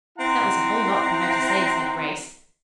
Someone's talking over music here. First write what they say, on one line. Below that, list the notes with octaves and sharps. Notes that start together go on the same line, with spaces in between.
"That was a whole lot for her to say," said Grace.
C4 E4 F#5 A#5